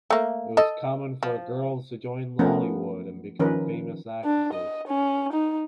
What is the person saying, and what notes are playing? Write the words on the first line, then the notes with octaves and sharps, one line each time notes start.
It was common for the girls to join Lollywood and become famous actresses.
A3 A#3
A4 D#5
F3
F3 A3 B3 C#4 A#4
D#3 F3 C#4 A#4 B4
D4
D#5
C#4
D#4